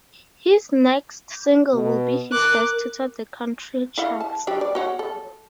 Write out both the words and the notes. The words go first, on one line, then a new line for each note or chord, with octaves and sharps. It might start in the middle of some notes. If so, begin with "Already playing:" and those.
His next single would be his first to top the country charts.
B2
A#4 D6 F#6
E4 F5 F#5
A5
F#3 D4 G4
D5
F#4 C#5 F#5
A4